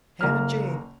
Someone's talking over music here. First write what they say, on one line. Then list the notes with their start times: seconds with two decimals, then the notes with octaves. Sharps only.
Hannah Jane!
0.21 F#1 A#3 A#4 F6